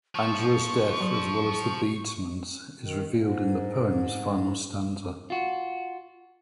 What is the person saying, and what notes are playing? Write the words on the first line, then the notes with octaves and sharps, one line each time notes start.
Angela's death, as well as the beadsman's, is revealed in the poem's final stanza.
F3 C#6
F#3
D#3
G#2
F4 F#4